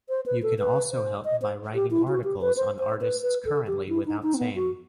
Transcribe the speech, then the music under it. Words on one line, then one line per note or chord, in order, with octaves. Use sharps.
You can also help by writing articles on artists currently without same.
C5
B4
A4
B4
C5
D#5
C5
G4
E4
F#4
G4
B4
C5
C5
B4
B4
A4
G4
E4
D#4
D#4
C4
B3
F#4